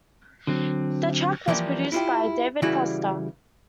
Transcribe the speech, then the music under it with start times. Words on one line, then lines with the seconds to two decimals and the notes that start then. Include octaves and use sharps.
The track was produced by David Foster.
0.47 D3 F#3 C4
1.48 E3 F3 G3 A#3
1.92 E4 F4 G4
2.62 C#3 E3 G3 E4 F#4